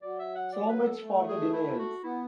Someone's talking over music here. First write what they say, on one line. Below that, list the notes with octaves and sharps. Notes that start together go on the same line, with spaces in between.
So much for the denials!
F#3 D5
E5
F#5
D5
B4
A4
A3
G#4
E4
F#4
B3 E4